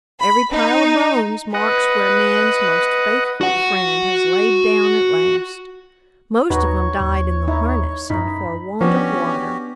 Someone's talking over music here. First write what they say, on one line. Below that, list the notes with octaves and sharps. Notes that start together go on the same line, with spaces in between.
Every pile of bones marks where man's most faithful friend has laid down at last: most of 'em died in the harness and for want of water.
B5
D#4
B4 D#5 F#5
F#4 F#5
D#2 D#4 F#4 B4 C#5
D#2
D#4 E4
F#2 D#4 E4 B5
F3 B3 C#4 D4 F#4 G4